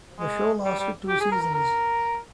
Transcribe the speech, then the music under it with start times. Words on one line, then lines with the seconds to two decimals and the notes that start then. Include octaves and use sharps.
The show lasted two seasons.
0.19 G#3
0.65 G3
0.79 G3
1.08 G4
1.20 G#4
1.32 A#4
1.42 A#4
1.54 A#4